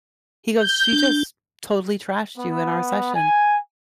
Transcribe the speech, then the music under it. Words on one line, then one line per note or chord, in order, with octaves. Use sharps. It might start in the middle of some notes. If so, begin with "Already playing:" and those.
He goes, "She just totally trashed you in our session,
G6
D4
B3
G#5